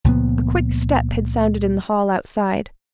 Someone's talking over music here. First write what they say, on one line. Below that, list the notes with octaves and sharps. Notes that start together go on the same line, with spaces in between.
A quick step had sounded in the hall outside.
C#2 A#2 F3 B3